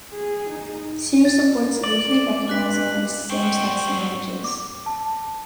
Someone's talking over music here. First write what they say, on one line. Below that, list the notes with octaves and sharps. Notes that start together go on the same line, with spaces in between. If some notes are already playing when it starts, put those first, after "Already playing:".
Sears supports legally recognizing same-sex marriages.
G#4
D#4
A6
D5 F#7
G2 D6 F#6 B6
C4 F#4 G5 C#6
D6
A5